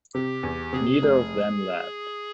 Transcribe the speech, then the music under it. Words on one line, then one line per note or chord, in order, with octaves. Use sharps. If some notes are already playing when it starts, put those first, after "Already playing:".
Neither of them laughed.
C3 G4
E2
C3 G#4
F1